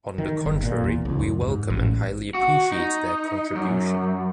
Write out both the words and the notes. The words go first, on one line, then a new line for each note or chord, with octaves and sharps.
On the contrary, we welcome and highly appreciate their contribution.
D#3
G1
A#2
E2
C#2
F#2
G#2
A1
F#4
D#4
F#2